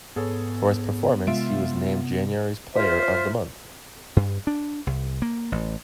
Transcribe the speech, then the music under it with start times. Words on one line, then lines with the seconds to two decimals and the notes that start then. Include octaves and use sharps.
For his performance, he was named January's Player of the Month.
0.16 G#2 B3 G#4 A4 C#5
1.27 C3 G#3 F4 E5 D7
2.74 F4 C5 E5 F6
4.16 G2
4.47 D4
4.87 C2
5.22 A#3
5.52 A1